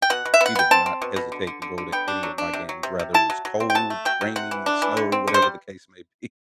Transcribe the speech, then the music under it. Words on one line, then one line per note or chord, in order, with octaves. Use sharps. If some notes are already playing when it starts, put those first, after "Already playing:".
she did not hesitate to go to any of my games, rather it was cold, rainy, snow, whatever the case may be.
G5
B2 F#5
B2
E5
B3
F#5
B3 G5
C4 A5
C4
B2
B2
D3
D3
D3
D3
B3 G5
D4
F#3
D4
C3
F#3
C3
C3
E4 A5
F#3
F#3
C4
G5
F#3 A5
A3
F#3 G5
F#3
C3 F#5
E3
D4
E3
D3
C4
D3
C5
G3